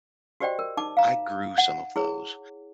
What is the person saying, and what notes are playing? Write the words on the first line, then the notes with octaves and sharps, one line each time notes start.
I grew some of those.
F#4 G4 C5 D5 D#5 G5
A#4
D#4 A5 D6
F5 A#5
F#5
E4 G#4 C#5